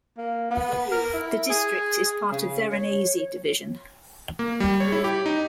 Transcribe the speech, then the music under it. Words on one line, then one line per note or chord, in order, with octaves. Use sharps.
The district is part of Varanasi Division.
A#3
B3
A#4
E4
G#4
C#3
C#5
A#3
G3
C#5
E4
G4
D#4